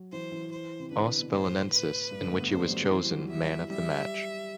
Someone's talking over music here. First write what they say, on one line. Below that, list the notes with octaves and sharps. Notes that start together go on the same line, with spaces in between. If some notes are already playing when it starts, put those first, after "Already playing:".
Os Belenenses, in which he was chosen "Man of the match".
Already playing: F#3
E3 C5
E3
C5
C3
D3 B4
C3
B2
A2 C5
B4
G2
D3
A3
B3
G3 C5
F#3
F#3
E3 C5
G3
F#3
E5
G3 E5